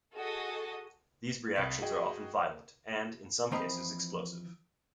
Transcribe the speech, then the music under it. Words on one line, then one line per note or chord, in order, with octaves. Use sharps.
These reactions are often violent, and in some cases explosive.
F#4 G#4 A4 D#5
C2 B6
F#4 G#4 D#5 G5
E3 F3 C4 B4 D#5 A#5